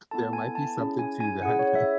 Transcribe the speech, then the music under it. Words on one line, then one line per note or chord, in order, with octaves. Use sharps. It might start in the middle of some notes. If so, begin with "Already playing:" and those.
there might be something to that.
B3 E4 A4 A5
G#5
A5
C#4 E4 G#4
G#5
G#5
C#4 E4 G#4 F#5
C#5
E5